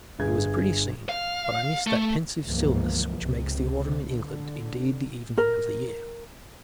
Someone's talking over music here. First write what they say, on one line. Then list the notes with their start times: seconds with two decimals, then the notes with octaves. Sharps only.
It was a pretty scene; but I missed that pensive stillness which makes the autumn in England indeed the evening of the year.
0.19 G1 G#4 G#6
1.09 F5
1.87 A3
2.44 G1 C#2 E3 F3 A#3
3.20 C#2 C3
4.06 D3
5.38 A#4